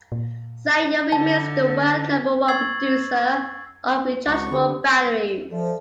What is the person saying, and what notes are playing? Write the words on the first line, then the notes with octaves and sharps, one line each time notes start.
Sanyo remains the world number one producer of rechargeable batteries.
A#2
D3 A5
C#6 E6 G#6 A6 C7 F#7
C#2 F#4 C#6
D3 B3 G4
F3 A4 D5 E5